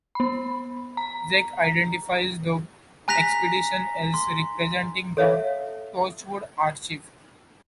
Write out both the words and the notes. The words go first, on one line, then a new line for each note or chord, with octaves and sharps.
Zack identifies the expedition as representing the Torchwood Archive.
B3 B5
A#5
G#5 A#5 F#6 A#6 B6 F7
C6
A4 C#5 E5 F5